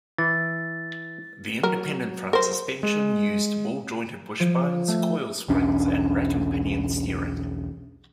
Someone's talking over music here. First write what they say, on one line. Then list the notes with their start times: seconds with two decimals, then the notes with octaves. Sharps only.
The independent front suspension used ball-jointed wishbones, coil springs and rack-and-pinion steering.
0.18 E3 A6
1.63 F#3 A#4
2.33 A#4 C5
2.83 G#3
4.40 F3
4.88 A3
5.48 B1 E2 C#4 D4